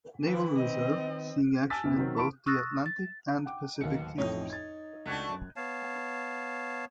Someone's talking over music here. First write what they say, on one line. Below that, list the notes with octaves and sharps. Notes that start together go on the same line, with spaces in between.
Naval Reserve, seeing action in both the Atlantic and Pacific theaters.
D#3 B4
C4 D#5
G#5 A5 E6 F6 A6 B6
F#1 B2
D#3 F#3 C4
E3 A5 B5 C#6 D7
C#6 D#6 E6 F#6 A6 A#6
A6
F#5 G5 D6
D1 D#2 B2 C#7
A1 F2 A2 D#4 C#5
G#6 A6
C#2 A3 D4 F#4 F#6 G#6
F#2
B3 C#5 F5 A5